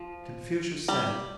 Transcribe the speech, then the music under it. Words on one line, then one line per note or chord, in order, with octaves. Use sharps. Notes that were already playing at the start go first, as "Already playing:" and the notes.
Confucius said.
Already playing: F3
G3